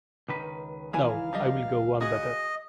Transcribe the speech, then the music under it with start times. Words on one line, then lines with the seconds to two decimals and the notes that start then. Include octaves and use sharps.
No, I’ll go one better.
0.29 C#2 D#3 B4
0.93 E3 E4 F5 G#5
1.33 F3 G3 D#5
2.01 F#4 G#4 D#5